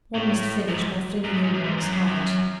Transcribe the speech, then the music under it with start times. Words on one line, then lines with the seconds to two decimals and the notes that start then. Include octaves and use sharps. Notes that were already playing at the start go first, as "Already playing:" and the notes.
One must finish by flinging in one's heart.
0.14 A2
0.68 F#2
0.74 G#2
1.24 F#2
1.33 G#2
1.44 G#2
1.54 F#2
1.64 G#2
1.78 F#2
1.92 F#2
2.07 F#2